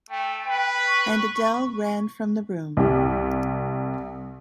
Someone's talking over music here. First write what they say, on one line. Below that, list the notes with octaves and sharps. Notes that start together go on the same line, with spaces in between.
And Adele ran from the room.
A3 G5
B4
C#6
C2 G4